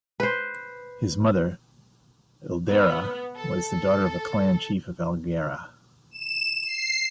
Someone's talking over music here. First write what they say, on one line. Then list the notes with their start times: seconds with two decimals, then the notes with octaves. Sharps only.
His mother, Ildera, was the daughter of a clan chief of Algaria.
0.20 B4 C5
2.68 B3
3.36 A4
6.11 E7
6.65 C7